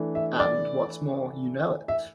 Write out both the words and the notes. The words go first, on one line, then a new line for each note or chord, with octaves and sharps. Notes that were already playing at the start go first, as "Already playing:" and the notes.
And, what's more, you know it.
Already playing: E3 A3 D4
E5
D5
E5